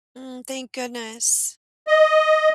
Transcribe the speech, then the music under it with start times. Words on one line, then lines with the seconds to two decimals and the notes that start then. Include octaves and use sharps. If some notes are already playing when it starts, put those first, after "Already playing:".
Mm, thank goodness.
1.88 D#5